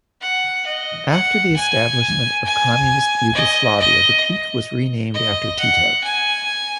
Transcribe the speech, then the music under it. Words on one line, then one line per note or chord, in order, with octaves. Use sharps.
After the establishment of Communist Yugoslavia the peak was renamed after Tito.
F#5
D#5
F#5
G#5
G#5
D#5
D#5
D#5
F#5
G#5